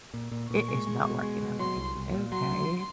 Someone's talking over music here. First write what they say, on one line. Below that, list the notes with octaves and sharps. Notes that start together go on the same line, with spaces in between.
"It is not working," I'm like, "Okay,"
A#2
A#2
A#2 C#6
G#3
G#3
B2
G#3
B2
F#3 C6
C2
C2
A#2
F#3 C6
D2